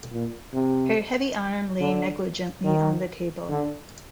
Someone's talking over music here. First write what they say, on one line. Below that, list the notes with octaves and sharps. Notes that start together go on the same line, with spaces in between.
Her heavy arm lay negligently on the table.
A#2
C3
D3
D#3
D3